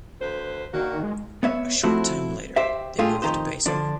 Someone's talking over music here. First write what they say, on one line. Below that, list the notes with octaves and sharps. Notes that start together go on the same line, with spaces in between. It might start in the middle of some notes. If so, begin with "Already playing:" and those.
A short time later they moved to Basel.
D2 B4 C5
D#3 A#3 D4 F#4
G#3
B3 C#5 E5
F3 A3 C4 E4 F#4
G4 C5 E5
A3 D4 F4 G4 G#4
F2 D#3 D#4 G4 C5
D3 F3 D4